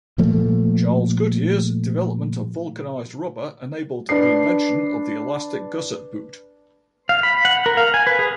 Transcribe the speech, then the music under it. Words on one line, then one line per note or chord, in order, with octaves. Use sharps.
Charles Goodyear's development of vulcanised rubber enabled the invention of the elastic gusset boot.
A#2 F3 A3
D4 B4 C7
F5
B5
F#5
A#4
F5
G#5
B4
G#4